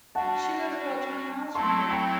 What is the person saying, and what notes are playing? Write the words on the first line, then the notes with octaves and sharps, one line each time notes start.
She lives about twenty miles from here.
G3 D4 F#4 F#5 A5
F#3 A3 C4 E4 A4 A5 C6
G5 B5